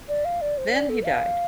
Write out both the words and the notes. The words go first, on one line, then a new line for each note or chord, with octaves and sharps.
Then he died.
D5
F5
D5
C5
D5
A4
F5